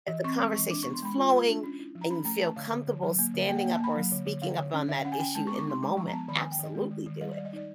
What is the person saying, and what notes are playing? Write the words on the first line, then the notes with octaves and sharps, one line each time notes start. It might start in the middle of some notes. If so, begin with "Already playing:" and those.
if the conversation's flowing and you feel comfortable standing up or speaking up on that issue in the moment, absolutely do it,
E3
C4 C#6
G#3
E3 C#6
D4 D6
C#6
B3
C6
G#3 B5
F4
F4
D4
C#4
E4
F3
A#5
C#4 B5
A3 A#5
A3 A5
D3 F5
D3
D3
F#3
A#3
D3
A#3 G5
F#5
G5
A#3
A5
A#3 B5
F#3
D3
D3
D3 F5
D3
C#4
D3 E5
F5
C#4 F#5
G#5
C#4 G5
G#3 A5
C#6
B3 D6
C#6
D#4 C6
G#3 D6
F3 C#6
A#5
B3 A5
D#3 B5
G#5
D#3
G5
D#3 D#5
G#3
D#3
D#3
G3 D#5
D5
G3
D#5
D#4 D5